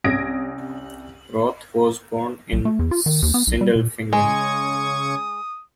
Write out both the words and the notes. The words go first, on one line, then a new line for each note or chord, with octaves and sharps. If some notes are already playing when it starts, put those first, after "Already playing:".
Roth was born in Sindelfingen.
C2 C#4 D#6 G#6 A#6 D7
B1
A3
E2
F4
D#3
D#2
B3
B1
G3
A#2
C#3 G#3 C#6 D#6 G#6